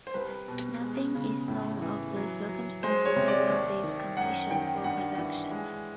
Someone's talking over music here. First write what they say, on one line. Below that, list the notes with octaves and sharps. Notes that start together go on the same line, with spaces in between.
Nothing is known of the circumstances around its commission or production.
C5
C2 B4
B2
G#3
C#3
A2
E3
F#3
F#3
G#3 C5
C#5
C3
D5
D#2
D#3
F#2 F#5
D#3 G5
G2 F#5
E3
G#3